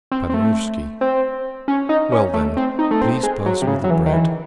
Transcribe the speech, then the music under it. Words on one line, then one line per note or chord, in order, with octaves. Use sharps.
Paderewski: "Well, then, please pass me the bread."
C4
C4
A3
C4
C#4
D#4
C#4
A3
C4
D#4
A3
C4
G#3
F#3
C3
C#3
F#3
E3
D#3
E3